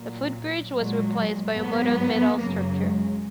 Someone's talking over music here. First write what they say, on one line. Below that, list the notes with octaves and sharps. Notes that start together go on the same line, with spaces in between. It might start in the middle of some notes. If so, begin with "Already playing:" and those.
The footbridge was replaced by a modern metal structure.
Already playing: A#2 F#3
A#2 F#3 G#3
G#2 F#3 B3
F#2 C#3 F#3 A#3
G#3